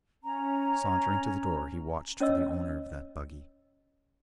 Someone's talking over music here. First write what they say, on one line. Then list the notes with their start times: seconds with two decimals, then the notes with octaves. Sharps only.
Sauntering to the door, he watched for the owner of that buggy.
0.23 C#4 A#5
2.20 C#4 C#5 D#5 E6